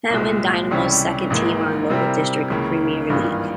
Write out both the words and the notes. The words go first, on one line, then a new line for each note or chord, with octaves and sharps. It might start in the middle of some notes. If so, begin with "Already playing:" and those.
Pentwyn Dynamo's second team are in the local District Premier League.
C2 A#2 G#3
C#2 C3 E3 G3 C#4
G#1 G#2 E3 A#3
C3 G3 C4 E4 A#4
C#2 C#3 E3 A#3 C#4
G#1 G2 E3 A#3 F4